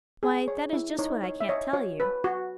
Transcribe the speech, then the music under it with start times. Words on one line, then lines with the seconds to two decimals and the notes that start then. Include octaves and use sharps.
'Why, that is just what I can't tell you.
0.23 G#4
0.48 C#5
0.73 E4
0.99 D#4 C#5
1.23 C#5
1.40 E5
1.49 C#5 D#5
1.73 F#4 C#5
2.00 B4
2.24 F#4